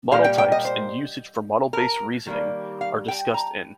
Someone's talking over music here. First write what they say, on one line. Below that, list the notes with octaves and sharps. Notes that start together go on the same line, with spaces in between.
Model types and usage for model-based reasoning are discussed in.
A#2 G3 A#3 F5
G5
G5
D#5
C5
A#4
D#3 G3 A#3
F5
G5
A#5